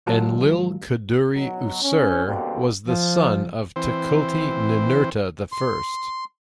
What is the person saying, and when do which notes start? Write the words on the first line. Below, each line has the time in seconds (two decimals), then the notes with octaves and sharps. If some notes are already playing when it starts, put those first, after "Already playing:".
Enlil-kudurri-usur was the son of Tukulti-Ninurta the First.
0.07 D#2 G#2 F#3 F4 A#4 A5
1.35 B2 F#3
1.82 C#4
2.26 B2 D3 G3 A#3 C4
2.88 F3
3.76 E3 C4 C5
5.52 C6